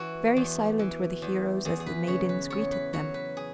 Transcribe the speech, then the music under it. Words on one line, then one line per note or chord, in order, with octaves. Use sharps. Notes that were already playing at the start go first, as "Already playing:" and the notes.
Very silent were the heroes as the maidens greeted them.
Already playing: E3 F#4
E2
E3
E2
E2 G#4
G#4
B4
C#3 C#5
B4
E2 C#5
B4
F#3 C#5
B4
G#4